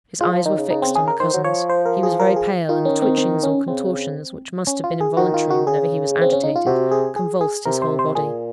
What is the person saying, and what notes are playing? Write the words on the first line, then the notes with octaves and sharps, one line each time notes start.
His eyes were fixed on the cousins; he was very pale, and the twitchings or contortions, which must have been involuntary whenever he was agitated, convulsed his whole body.
G#3 F4
F3
D#3 D#4
C#3
C#3 D#4
C4
G#4
A#4
D#3 C5
F#3
F3 C#5
C5
A#4
G#4
A#4
G#4
D#3 F4
C#4
C4
C4
C#4
C#3 C4
C#4
F4
G#4
D#3 F#4
F4
F#4
C#3 G#4
C4
C#4
D#4
F4
C3 F#4
G#4
G#4
G#4
C3 A#4
C5
C5
A#2 G#4